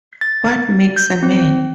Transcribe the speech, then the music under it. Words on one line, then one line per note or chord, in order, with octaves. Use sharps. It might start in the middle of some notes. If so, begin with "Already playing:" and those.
What Makes a Man?
A6
G6
C4